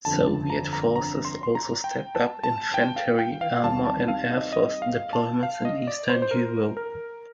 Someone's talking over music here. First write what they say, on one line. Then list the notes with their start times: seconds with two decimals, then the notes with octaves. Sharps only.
Soviet forces also stepped up infantry, armor and air force deployments in Eastern Europe.
0.05 G1 F2 D3 A5
0.27 A5
0.50 A#5
0.73 A#5
0.96 A#5
1.25 C6
1.43 C6
1.55 A#5
1.84 G5
2.15 A5
2.44 A5
2.74 G5
2.96 F5
3.19 G5
3.41 F5
3.63 D#2 D#3 G3 C4 A5
3.85 A5
4.08 F5
4.31 D#5
4.52 D#5
4.82 F5
5.13 A5
5.43 F5
5.65 D#5
5.87 D5
6.09 C5
6.22 C5
6.31 A#4
6.77 A#4